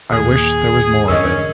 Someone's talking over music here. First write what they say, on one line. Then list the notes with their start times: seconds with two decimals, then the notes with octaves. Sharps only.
I wish there was more of it.
0.11 D#2 A#2 G#4
1.08 E2 G2 D3 C#4 A#4 D#5